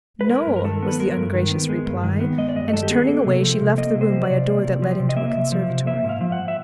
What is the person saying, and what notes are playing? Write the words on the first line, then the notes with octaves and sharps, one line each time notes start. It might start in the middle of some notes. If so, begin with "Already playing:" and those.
"No," was the ungracious reply; and turning away, she left the room by a door that led into a conservatory.
B4
G#3 A#4
G2
A#4
D#3 A4
B3
B4
G#3 A#4
G2
D#3
B3
G#3
G2
D#3
B3
G#3 D#5
D5
G2 D#5
D#3 A4
G4
B3 G#4
A#3 A4
C3
F3
C3
A#3 D#5
C3
C5
F3
D5
C3
A#3
C3
F3
C3
D#5
A#3 E5
C3
F3
C3
A#3 E5
G#2
F5
F3
F#5
E5